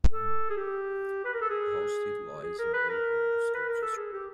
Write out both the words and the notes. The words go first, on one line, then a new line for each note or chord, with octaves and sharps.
Hallstead lies in Blue Ridge School District.
A4
G#4
G4
B4
A#4
A4
G#4
G#4
A#4
B4
A#4
B4
A#4
A4
G#4
G4